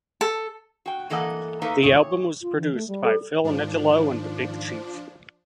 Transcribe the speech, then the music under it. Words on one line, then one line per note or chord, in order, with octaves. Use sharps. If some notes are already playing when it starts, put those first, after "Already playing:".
The album was produced by Phil Nicolo and Big Chief.
A4
F#4 G5
G2 E3 A#3 A4 D#5 F#5
A3 A#3 D#4 A#4 B4 E5
A#2 D#3 C#5
F4
E3
A3
G3
A4
G#2 D#3 F3 D4